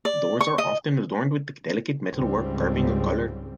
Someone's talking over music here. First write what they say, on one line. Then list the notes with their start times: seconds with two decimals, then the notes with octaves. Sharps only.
Doors are often adorned with delicate metal work, carving or color.
0.05 D5
0.41 C#6
0.58 D#5
2.15 C#2 G#2 C#3 G3 C4